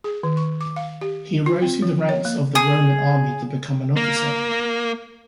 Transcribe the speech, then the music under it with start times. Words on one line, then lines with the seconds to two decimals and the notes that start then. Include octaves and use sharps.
He rose through the ranks of the Roman army to become an officer.
0.04 G#4
0.23 D#3
0.37 C#6
0.61 D6
0.76 F5
1.01 G4
1.46 F4
1.62 C4
1.82 F3
2.09 C#5
2.25 A#3
2.55 G#4
3.97 A#3